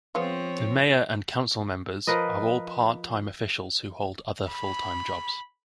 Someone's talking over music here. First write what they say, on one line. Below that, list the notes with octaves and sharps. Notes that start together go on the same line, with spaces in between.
The Mayor and Council Members are all part-time officials who hold other full-time jobs.
F3 G#3 B3 C4 F4 C#5
F3 A#4 B4 D#5
B5